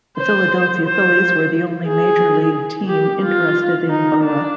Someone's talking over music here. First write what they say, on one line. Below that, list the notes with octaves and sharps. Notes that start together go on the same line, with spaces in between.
The Philadelphia Phillies were the only Major League team interested in Bowa.
C5
C5
G#4
G4
F4
D#4
D4